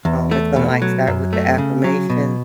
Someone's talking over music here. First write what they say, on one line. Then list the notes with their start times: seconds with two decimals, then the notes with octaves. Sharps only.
um, is gonna, like, start with the affirmations,
0.05 E2
0.31 A3
0.56 B2
0.82 F#3
1.07 F#2
1.33 A3
1.58 C#3
1.84 F#3
2.10 B2